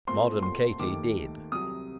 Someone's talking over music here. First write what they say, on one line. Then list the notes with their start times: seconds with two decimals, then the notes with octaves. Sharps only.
Modern Katie did.
0.07 A#2 A3 C4 C6
0.43 C6
0.79 D#2 D#3 A3 D6
1.52 C2 C3 F#3 D#6